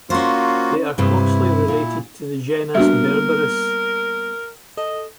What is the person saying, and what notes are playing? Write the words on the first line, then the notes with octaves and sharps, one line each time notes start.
They are closely related to the genus "Berberis".
A#3 C#4 F4 F#4 C5
G2 C3 E4
A#2
G3 A#3 B3 D4 F#4 A#4 E5
A4 D#5